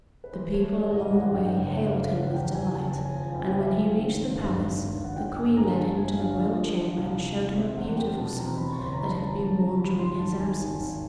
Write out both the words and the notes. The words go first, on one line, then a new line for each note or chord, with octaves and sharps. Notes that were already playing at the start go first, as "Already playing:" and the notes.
The people along the way hailed him with delight; and when he reached the palace, the Queen led him to the royal chamber and showed him a beautiful son that had been born during his absence.
B4
E3 C5
A3 C#5
A3 D5
D5
A1 D#5
A1 F#5
G2 G5
G5
F#1 F#5
F#1
F5
F#1 E5
F5
F#1 F#5
E2 G5
E2 G#5
F#1 A5
F#1
G#5
F3
F#1 G5
G#5
G5
F3 E5
F5
F#1
D#3
G#1
G2
G#1
G#1
G#1
F#5
G1 G5
G1 G#5
D3 A#5
D3 A5
G1 G#5
D3 F5
F3
F3
F3
C2
C2
C2
C4 E5
E2 F#5
G3 G5
B2 A5
C4 A#5
E2 B5
C#6
F#1 C6
A#5
E2 B5
A5
C#3 A#5
F#3 A5
C#3 A#5
F#3 B5
G#1 C6
G#1 A5
D#3 G#5
G#1 A5
G#1